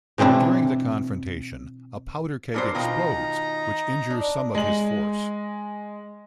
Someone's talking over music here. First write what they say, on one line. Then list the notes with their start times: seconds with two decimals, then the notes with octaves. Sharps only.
During the confrontation, a powder keg explodes which injures some of his force.
0.18 B2 E3 C4 D4 E4
2.54 F#3 B3 D4 A#4 C5
2.75 B2 D#3 D#4 F4 A#5
4.10 D4
4.55 G#3 F#7